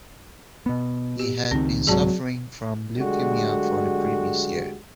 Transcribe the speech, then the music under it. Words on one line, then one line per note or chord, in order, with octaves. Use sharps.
He had been suffering from leukemia for the previous year.
B2 B3
G4
C#2 D#3 C4
C2 G#2 C3 F#3 G#4 D5 A5
D3 F#3 G#3 A3 F#4 G4